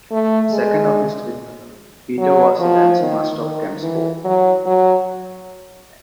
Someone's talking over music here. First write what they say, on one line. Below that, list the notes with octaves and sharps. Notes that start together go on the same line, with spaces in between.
The second of his three brothers, Peter, was a dancing master of Chelmsford.
A3
G#3
F#3
F3
D#3
D#3
E3
F#3
F#3